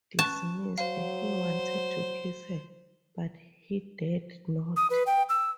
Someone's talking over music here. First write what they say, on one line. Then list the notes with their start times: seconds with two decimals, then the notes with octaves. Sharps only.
Dismissed, he wanted to kiss her, but he dared not.
0.19 A5 C#6 F#6
0.78 F#3 C5 F5
4.76 D#6
4.90 B4
5.07 G5
5.29 E6